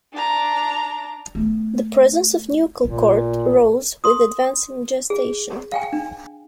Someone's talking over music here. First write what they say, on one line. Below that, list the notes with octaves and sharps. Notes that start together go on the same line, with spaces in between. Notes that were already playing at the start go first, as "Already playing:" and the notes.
The presence of nuchal cord rose with advancing gestation.
D4 A#5
A3 B3
A1 A#2
C6 D#6
G#4
F5 G5 G#5
D4